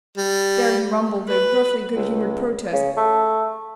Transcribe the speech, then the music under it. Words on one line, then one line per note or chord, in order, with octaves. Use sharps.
There he rumbled a roughly good-humoured protest.
G3
B4
C#2
C#3
A3